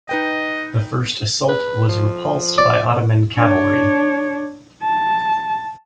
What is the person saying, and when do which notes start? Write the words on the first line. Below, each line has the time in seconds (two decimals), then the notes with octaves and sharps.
The first assault was repulsed by Ottoman cavalry.
0.09 D#4 B4 D#5 G5
1.48 B4
1.88 F3
2.58 D5
3.37 D4 C#5
4.82 A5